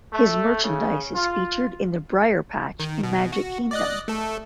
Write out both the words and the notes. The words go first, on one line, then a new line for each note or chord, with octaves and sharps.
His merchandise is featured in the Briar Patch in Magic Kingdom.
A3
C#3
F4
D#3
B2
F#4
D5 D#5 F#6
A3 A4